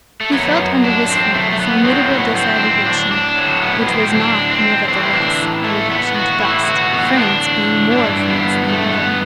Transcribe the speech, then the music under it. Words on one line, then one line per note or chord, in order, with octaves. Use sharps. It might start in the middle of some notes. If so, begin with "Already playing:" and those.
He felt under his feet a formidable disaggregation, which was not, nevertheless, a reduction to dust, France being more France than ever.
A3
F#2 F#3 B3
D4
C4
A3
A3
B3
A2 F#3 C4
B3
C4
D4
C4
D4
D4
F#3
A2
B3
C4
D4
C4
A2 E3 C4
E4
D4
A3
B3
F#4
A2 E3 E4
F#4
B3
C4
D4
G2 E3 D4
B3
A3
B3